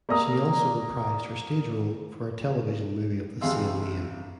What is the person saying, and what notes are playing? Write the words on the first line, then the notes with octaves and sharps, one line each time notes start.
She also reprised her stage role for a television movie of the same name.
A#3 D5 A#5 D#6
A1 C3 G#4 F5 C6 E6